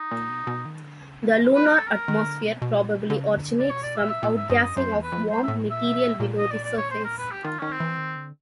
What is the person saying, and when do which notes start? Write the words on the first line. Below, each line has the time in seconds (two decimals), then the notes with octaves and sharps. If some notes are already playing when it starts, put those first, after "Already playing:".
The lunar atmosphere probably originates from outgassing of warm material below the surface.
Already playing: D#4
0.11 A#2
0.29 B2
0.47 B2
0.65 D#3
0.83 D3
1.01 C#3
1.27 D3
1.54 B4
1.65 A#4
1.76 A4
1.86 A#4
2.08 D#3
2.26 D3
2.44 B2
2.62 B2
2.79 A#2
2.98 B2
3.10 D3
3.16 C#3
3.33 D3
3.52 C#3
3.59 D5
3.69 B2 C#5
3.82 D5
3.96 A#2 E5
4.10 E5
4.23 A#2 E5
4.36 G#2 E5
4.49 G2 D#5
4.62 F#2 D#5
4.76 F#2 C5
4.95 E2
5.03 B4
5.12 F2
5.30 G#2 C5
5.43 E5
5.48 A2
5.66 A#2 E5
5.83 B2
6.02 A#2
6.20 A#2
6.38 D#5
6.50 D5
6.64 D5
6.78 C#5
6.90 C5
7.04 A#4
7.18 B4
7.31 G4
7.44 D#3 F4
7.59 D#3 C#4
7.71 C4
7.80 E3
7.98 D#3
8.16 D3